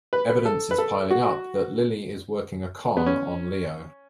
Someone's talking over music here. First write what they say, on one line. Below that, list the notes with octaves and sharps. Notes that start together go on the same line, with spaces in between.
Evidence is piling up that Lily is working a con on Leo.
B4
B4
A4
B4
A4
F#4
B3
C#4